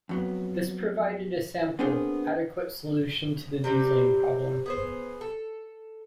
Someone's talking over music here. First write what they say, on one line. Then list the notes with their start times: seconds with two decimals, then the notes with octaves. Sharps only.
This provided a simple, adequate solution to the dieseling problem.
0.09 F2 F#3 B3
1.79 B3 C4 D4 G#4 A#4 C5
3.64 C3 G3 C4
4.66 B3 G#4 C5
5.21 A4